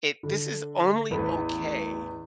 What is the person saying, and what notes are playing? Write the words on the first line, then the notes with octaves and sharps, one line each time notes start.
it this is only okay
D3
A1 E2 B4